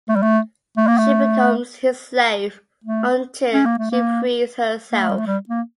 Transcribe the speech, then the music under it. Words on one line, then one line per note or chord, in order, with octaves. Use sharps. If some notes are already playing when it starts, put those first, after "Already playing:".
She becomes his slave until she frees herself.
A3
G3
A3
A3
A#3
A3
A3
C#4
A#3
A3
A#3
A#3
A3
G3
A3
G3
A#3